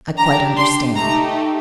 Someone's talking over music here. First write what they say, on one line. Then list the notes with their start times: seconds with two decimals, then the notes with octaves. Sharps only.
"I quite understand."
0.17 D4 G4 A#5
0.58 C6
0.96 A3 D#4 G4 A#5